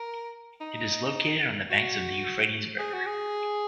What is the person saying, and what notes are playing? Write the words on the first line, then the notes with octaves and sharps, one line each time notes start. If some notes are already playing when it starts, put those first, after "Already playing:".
It is located on the banks of the Euphrates River.
Already playing: A#4
D#4
F#4
G#4
F#4
G#4